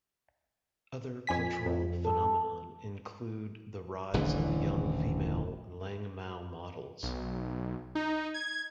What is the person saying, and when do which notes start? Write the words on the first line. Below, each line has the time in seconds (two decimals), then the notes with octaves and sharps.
Other cultural phenomenon include the rise of young female Liang mou models.
1.27 F2 G#5 B6
1.66 F2
2.05 A4
4.14 D#1 A1 D3 E3
7.03 B1
7.95 D#4
8.34 G#6